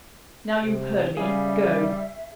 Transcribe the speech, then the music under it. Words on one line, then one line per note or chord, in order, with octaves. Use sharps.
Now you have heard me, go!
C3
C#3 G3 G#4 E5 F5 G#5